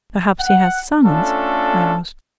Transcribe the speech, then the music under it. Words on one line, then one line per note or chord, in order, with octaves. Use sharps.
'Perhaps he has sons?' I asked.
F#5
A3 C#4 D4 F4 A4